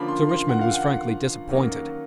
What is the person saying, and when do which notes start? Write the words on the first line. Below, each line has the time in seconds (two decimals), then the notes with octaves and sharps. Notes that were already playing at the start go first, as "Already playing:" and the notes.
Sir Richmond was frankly disappointed.
Already playing: D3 F3 A#3 C#4 B5
0.08 C6
0.29 C6
0.49 F#5
0.61 F5
0.74 F#5
1.49 D#3 F#3 A#3 C#4